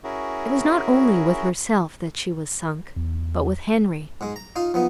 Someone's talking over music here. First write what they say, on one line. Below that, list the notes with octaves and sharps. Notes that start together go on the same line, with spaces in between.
It was not only with herself that she was sunk--but with Henry.
C#4 E4 F#4 G#4 A#4
E2
G#2 G#3
A#5
D#4 F4 F5
F3 B3 D#4